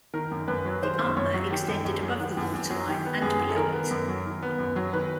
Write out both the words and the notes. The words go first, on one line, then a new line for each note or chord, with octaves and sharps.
The armour extended above the waterline and below it.
D#3 A#4
F#2
F#2 B4
F#3
D#3 C5
F#2
F#2 C#5
F#3
D#3 G4
F#2
F#2
F#3
D#3
F#2
F#2
F#3
D#3 G4
B3
F#2 G#4
F#3
A4
D#3 A#4
B3
F#2
F#3
D#3
B3
F#2
F#3
D#3 B4